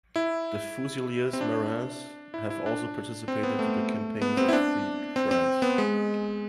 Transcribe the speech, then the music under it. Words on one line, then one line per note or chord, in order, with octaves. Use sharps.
The Fusiliers Marins have also participated to the campaigns of Free France.
E4
C4
D4
E4
E4
D4
C4
B3
A3
B3
C4
E4
D4
C4
C4
B3
G#3